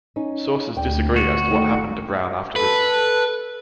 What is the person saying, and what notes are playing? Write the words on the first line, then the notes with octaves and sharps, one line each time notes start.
Sources disagree as to what happened to Brown after this.
C#4 D#4
D2 D5 G5
F#4
D#3 A3
A4 B4